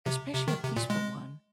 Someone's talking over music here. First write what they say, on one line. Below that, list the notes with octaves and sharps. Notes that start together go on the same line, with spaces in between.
especially a peaceful one
C3
C3
D#3
C3
A#2
G#3